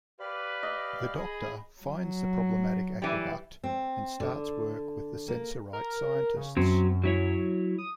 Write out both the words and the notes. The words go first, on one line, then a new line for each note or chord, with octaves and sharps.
The Doctor finds the problematic aqueduct and starts work with the Sensorite scientists.
G4 B4 D5 F5 B5
D#5
G#4 D#5
F#3
E3 G3
C4
D3
A#3
A#4
C#3
F#2 F#3 C4 C#4
F#3 E4 C#5
D#6